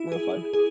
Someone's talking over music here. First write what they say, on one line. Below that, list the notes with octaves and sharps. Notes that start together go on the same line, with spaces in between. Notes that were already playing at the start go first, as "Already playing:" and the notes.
Real fun.
Already playing: E4
G#4
G#4